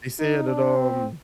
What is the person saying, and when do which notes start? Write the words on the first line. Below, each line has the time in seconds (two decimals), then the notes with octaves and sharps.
they said that, um
0.19 D#4
0.47 D4
0.76 C4